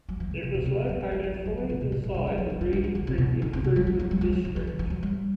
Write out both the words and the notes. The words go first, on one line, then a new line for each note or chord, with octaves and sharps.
It was located fully inside the Reedy Creek Improvement District.
F#3
E3
C3
C3
B2
C3
D3
F#3
G3
F#3
F#3
F#3
F#3
D3
C3
B2
A2
B2
G3
F#3
F#3
G3
F#3
G3
F#3
D3
C3
B2
B2
C3
D3
G3
F#3
F#3
G3
F#3
E3
D3
E3
D3
E3
F#3
G3